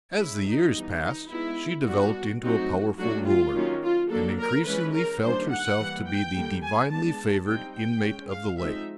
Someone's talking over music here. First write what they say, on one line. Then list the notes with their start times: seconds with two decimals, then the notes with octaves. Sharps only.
As the years passed she developed into a powerful ruler, and increasingly felt herself to be the divinely-favoured inmate of the lake.
0.18 G#3 C#4 E4
0.46 D#4
0.74 E3 G3 B3
1.02 D#4
1.30 G#3 B3 D#4 E4
1.86 G3 B3 D4 F#4
2.42 F#3 A3 C4 D#4 F#4
2.98 F#3 A3 D4 F#4
3.26 F4
3.53 D#3 F#3 A#3 C#4
3.83 F4
4.10 F#3 A#3 D4 A4
4.38 A#4
4.66 E3 G#3 C#4 B4
4.94 A#4
5.22 D#3 G3 A#3 D4 C5
5.50 F#5
5.78 E3 G3 A#3
6.06 G5
6.34 D3 G3 A#3
6.62 G#5
6.90 G#3 B3 D4 A5
7.46 G3 C4 D#4 G5
7.75 G5
8.02 G#3 C#4
8.30 F5
8.58 F3 G#3 C4 D#4 E5